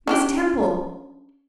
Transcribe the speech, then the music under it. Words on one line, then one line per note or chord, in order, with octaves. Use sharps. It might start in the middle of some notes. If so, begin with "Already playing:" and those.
Miss Temple!
C#4 D4 G4